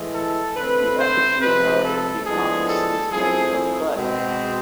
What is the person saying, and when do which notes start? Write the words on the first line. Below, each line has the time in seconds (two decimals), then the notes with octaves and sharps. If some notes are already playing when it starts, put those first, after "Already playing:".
The effigy of the ox is made of clay.
Already playing: A2 E3 G#3
0.14 A4
0.56 D3 A3 C4 B4
0.99 C5
1.41 C3 F3 G#3 C4 B4
1.84 A4
2.26 A2 F3 G#3 B3 D4 G#4
2.69 A4
3.11 F3 A3 C4 E4 G#4
3.97 B2 G#3 C4